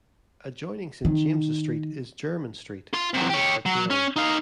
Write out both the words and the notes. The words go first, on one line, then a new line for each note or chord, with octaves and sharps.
Adjoining Saint James's Street is Jermyn Street, famous for tailoring.
D#3
F4 C6
C3 F#3
G4 C#5
F#3
C#4
D#4 F5